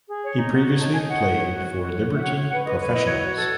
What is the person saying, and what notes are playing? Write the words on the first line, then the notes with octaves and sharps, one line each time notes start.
He previously played for Liberty Professionals.
G#4
C#5
D#4
F#4
C#5
D#4 A5
D#4 G#5
C#5 F#5
C#5
C#5
F#4
C#5
F#4
C#5
F#4
E5
C#5 F#5
C#5
B4 F#5
B4 D#5
B4 C#5
E4 D#5
F#4 C#5
F#4
A4